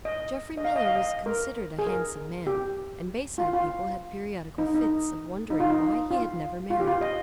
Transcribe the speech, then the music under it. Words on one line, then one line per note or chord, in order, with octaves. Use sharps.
Jeffrey Miller was considered a handsome man, and Bayside people had periodical fits of wondering why he had never married.
D#5
D#5
F5
D#5
F5
D#5
A#4
G#4
A#4
G4
F4
F4
D#4
D#4
D#4
F4
D#4
F4
F4
G4
F4
D#5